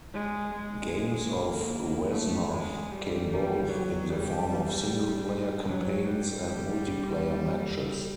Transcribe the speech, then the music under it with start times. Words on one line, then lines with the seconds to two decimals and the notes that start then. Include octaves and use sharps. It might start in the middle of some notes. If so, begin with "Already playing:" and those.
Games of "Wesnoth" come both in the form of single-player campaigns and multiplayer matches.
0.13 G#3
0.53 G#3
0.93 G#3
1.33 A#3
1.72 A#3
2.12 A3
2.51 G#3
2.91 G3
3.31 G3
3.69 F#3
4.10 G3
4.48 G3
5.67 F#3
6.06 G3